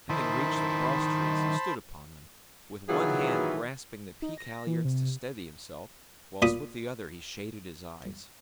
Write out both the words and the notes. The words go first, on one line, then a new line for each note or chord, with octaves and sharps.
Having reached the cross- trees, he stood upon them, with one hand grasping the peak-halliards to steady himself, whilst with the other he shaded his eyes.
D#3 E4 C5 A5 B5
B2 D#3 E3 F#3 F4 G#4
D#4
A#6
E3
C3
A#2 B5 D#6